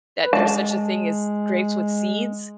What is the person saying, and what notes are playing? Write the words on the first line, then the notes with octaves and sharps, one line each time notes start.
that there's such a thing as grapes with seeds
B4
G#3 A5